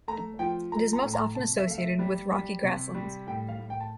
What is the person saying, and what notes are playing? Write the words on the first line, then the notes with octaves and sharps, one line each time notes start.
It is most often associated with rocky grasslands.
A3 A#5
F3 G5
A3 A#5
A#5
A2
A#5
C3 A5
E5
A3 F5
E5
G3
G3
C3
G3
A2 G5
F5
A2
G5
A5